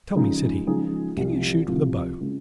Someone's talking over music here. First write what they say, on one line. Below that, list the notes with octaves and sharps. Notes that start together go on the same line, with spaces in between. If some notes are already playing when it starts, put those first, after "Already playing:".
"Tell me," said he, "can you shoot with a bow?"
C#3 F3 G#3 D#4 G#4
C#3 F3 G#3 D#4 G#4
C2 C3 F3
C2 C3 F3
C#3 G#3